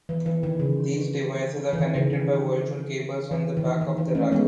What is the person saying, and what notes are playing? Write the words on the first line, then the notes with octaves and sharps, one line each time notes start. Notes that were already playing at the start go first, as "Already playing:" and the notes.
These devices are connected by virtual cables on the back of the rack.
E3
E3
D#3
C#3
E3
D#3
C#3
D#3
E3
D#3
E3
D#3
E3
D#4
A3 C#4
G#3 B3